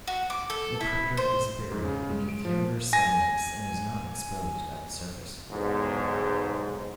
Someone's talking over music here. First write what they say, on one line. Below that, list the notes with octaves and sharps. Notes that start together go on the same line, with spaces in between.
The crater is buried beneath younger sediments and is not exposed at the surface.
F#4
D6
A4
E4
C5
G#2
C#3
G#3
D7
F3
G#5 A#6
B1 E2 G#2